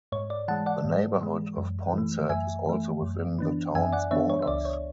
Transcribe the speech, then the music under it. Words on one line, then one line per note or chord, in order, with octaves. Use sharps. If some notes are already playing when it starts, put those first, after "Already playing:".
The neighborhood of Ponset is also within the town's borders.
G#2 C#5
D5
E3 G#3 F#5 A5
D5 F#5
G#2
E3 G#3
F#2
E3 A3
F#2 E5 G#5
E3 A3
F#2
E3 B3 D4
F#2 E5 G#5
D5 F#5
E3 B3 D4 C#5 E5
C#5
E5
C#2 D5
C#5